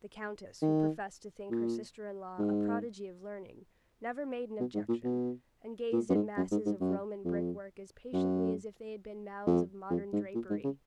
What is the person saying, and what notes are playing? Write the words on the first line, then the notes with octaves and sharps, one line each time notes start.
The Countess, who professed to think her sister-in-law a prodigy of learning, never made an objection, and gazed at masses of Roman brickwork as patiently as if they had been mounds of modern drapery.
D#3
A#2
G#2
B2
G#2
A#2
B2
A#2
F#2
G#2
F#2
G#2
G#2
F#2
F2
F#2
F2
F2
G#2
A#2
G#2
C#3